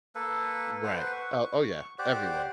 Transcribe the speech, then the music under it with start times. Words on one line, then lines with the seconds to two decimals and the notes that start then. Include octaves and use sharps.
Right, oh oh yeah, everywhere.
0.15 A#3 A4 B4
0.84 B4 C5 F#5
1.12 C#6
1.99 G4 C5 D5 F#5